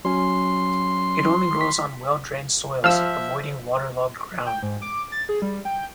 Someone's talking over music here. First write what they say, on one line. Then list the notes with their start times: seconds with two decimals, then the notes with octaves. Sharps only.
It only grows on well-drained soils, avoiding waterlogged ground.
0.05 F#3 C#4 C6
1.61 B6
2.84 F3 E5 F5 E6
4.46 G5
4.63 G#2
4.82 D6
5.12 A6
5.29 G#4
5.42 G3
5.65 G5